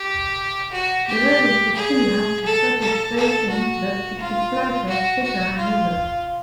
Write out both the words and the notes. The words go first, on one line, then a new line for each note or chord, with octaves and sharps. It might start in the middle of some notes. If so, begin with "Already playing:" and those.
The result is similar to shuttle tatting but is slightly thicker and looser.
Already playing: G4
F#4
G4
G#4
A4
A4
A4
F#4
F4
F#4
F#4
F4